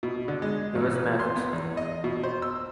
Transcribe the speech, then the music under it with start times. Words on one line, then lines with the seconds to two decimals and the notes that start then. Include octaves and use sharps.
He was miffed.
0.03 B2
0.28 D3
0.42 G#3
0.75 A1
0.95 B4
1.20 C6
1.36 B3
1.53 E2
1.77 D#5
2.04 B2
2.24 C5
2.42 E6